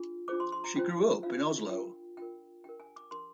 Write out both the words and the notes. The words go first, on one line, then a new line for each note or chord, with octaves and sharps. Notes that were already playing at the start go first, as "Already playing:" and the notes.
She grew up in Oslo.
Already playing: D4 F4 G#4
D4 F4 G#4 C5 D6
C6
C6
A#5
D4 F4 C5 G5
D4 F4 C5 F5
D4 F4 A#4 G5
D4 F4 A#4 G5
D4 G4 A#4 G5
G#5
D6
D4 G4 A#4 C6